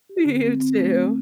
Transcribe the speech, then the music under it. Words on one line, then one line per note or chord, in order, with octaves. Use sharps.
You too.
G4
D3
C4
C4
A3
C4